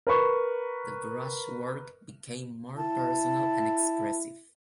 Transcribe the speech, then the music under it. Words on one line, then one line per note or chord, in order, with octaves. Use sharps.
The brushwork became more personal and expressive.
A#4 B4 C#6
E4 A5